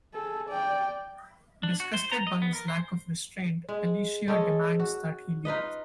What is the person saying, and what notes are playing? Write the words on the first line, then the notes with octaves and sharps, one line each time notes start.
Disgusted by his lack of restraint, Alicia demands that he leave.
G#4 A4
D5 G5
D4
F#4
C5
A#5
D#5
B3
A#4
C5
G#3
G#3 C#4 A4 D#5
F#4
D#4 F4 B4 D#5